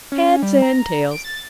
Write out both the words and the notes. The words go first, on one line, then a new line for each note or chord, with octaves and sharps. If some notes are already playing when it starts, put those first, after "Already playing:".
Heads and tails.
C#4
G3
A#5
D7
A6